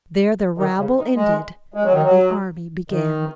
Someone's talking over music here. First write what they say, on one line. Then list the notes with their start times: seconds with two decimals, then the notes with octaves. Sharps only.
There the rabble ended and the army began.
0.58 D#3
0.77 C#3
0.97 D#3
1.16 G#3
1.74 G#3
1.84 F#3
1.92 D#3
2.03 F#3
2.90 D#3